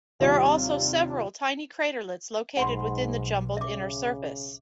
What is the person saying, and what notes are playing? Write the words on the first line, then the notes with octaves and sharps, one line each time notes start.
There are also several tiny craterlets located within the jumbled inner surface.
D#2 C3 G3 F4 D5
B1 G#2 F#5 B5 C6
C#3 E5 D6